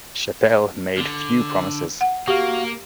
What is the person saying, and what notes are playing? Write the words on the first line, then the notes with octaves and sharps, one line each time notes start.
Chapel made few promises.
D3
F#5
A#3 F#4 G4 F5